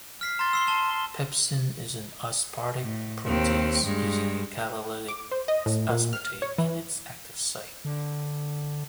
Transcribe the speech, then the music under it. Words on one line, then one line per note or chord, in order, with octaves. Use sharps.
Pepsin is an aspartic protease, using a catalytic aspartate in its active site.
F6 B6 C7
A#5 C6 A6
E6 C7 G7
A5 E7 G7
A2
D#2 C4
G2 G#3
D6
C5
D#5
A2
A#2
F6
C#5
E3
D3